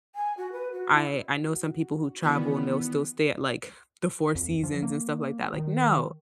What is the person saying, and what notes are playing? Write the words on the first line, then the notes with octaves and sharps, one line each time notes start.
I I know some people who travel and they'll still stay at, like, the Four Seasons and stuff like that, like, "No,"
G#5
F#4
B4
F#4
E4
F#4
D#3 E3 G3 B3
F2
F3
A#3
D#3